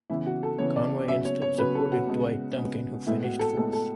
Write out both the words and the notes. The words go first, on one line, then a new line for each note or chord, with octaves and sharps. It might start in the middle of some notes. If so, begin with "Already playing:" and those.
Conway instead supported Dwight Duncan, who finished fourth.
C#3 E3 B3 E4
F#4
A4
C#3 E3 B3 C#5
D5
C#3 F#3 B3 E5
C#5
C#5
C#3 F#3 B3 B4
A4
F#4
C#3 G#3 B3
C#3 G#3 B3
A2 G#3 B3 E4
F#4
A4
A2 G#3 B3 A4
A4